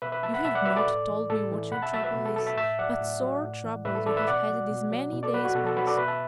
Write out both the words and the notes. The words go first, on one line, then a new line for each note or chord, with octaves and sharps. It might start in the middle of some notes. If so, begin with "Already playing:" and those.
You have not told me what your trouble is; but sore trouble you have had these many days past.'
B2 B4 E5
B4 E5
F#3 E5 A5
F#5 B5
B2 E5 A5
D5 F#5
F#3 B4 E5
A4 D5
A2
E3
A2 A4
E3
B2 F#5 B5
E5 A5
F#3 E5 A5
B4 E5
B2
A4
F#3 A4
E5 A5
A2 E5 A5
F#3 D5 F#5
A2
F#3
A2
E3
A2 B4 E5
A4
E3 A4 D5
B4 E5
B2 D5 F#5
F#3
B2
F#3
B2
A4 D5
F#3 F#4 B4
F#4
B2 A4
A4
F#3 F#4 B4
A4 D5
B2 B4 E5
E5 A5